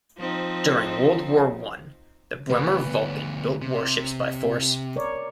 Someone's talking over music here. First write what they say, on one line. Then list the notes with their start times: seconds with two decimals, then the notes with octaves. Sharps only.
During World War One the Bremer Vulkan built warships by force.
0.18 F3 C4 D#4
2.50 D2 B3 B4
3.61 C3
4.96 A#4 C#5 D5